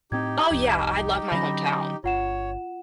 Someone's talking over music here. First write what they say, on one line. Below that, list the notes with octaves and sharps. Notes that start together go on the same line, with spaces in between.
Oh, yeah, I love my hometown,
A2 C4 D#4 G4 G#6
F1 C2 F2
D3 F#3 C#4 B5 A#6
G1 F4 C#5 F#5 E7